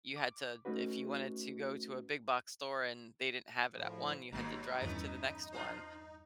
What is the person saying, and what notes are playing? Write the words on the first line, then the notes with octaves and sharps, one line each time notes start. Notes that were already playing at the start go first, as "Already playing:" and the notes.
you had to if you wanted to go to a big box store and they didn't have it at one, you had to drive to the next next one
D6
A3 C#4 D#4 F#4 B4
A2 F3
G#1 G2 B2 F#3 A#3 D#4 C6
E2 G2 A3 B3 C#4
D4 F4 C5